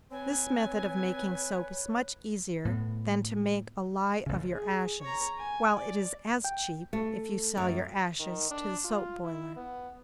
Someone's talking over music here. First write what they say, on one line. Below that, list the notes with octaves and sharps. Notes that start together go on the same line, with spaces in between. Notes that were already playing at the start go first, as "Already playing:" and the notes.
This method of making soap is much easier than to make a lye of your ashes, while it is as cheap, if you sell your ashes to the soap-boiler.
C4 B4 C#5 G#5
A2 B3
A1 C#3
G#4
C#5 A#5
G#5
D5
G5
A3
F#2
D#3
D4
F4
E4
B3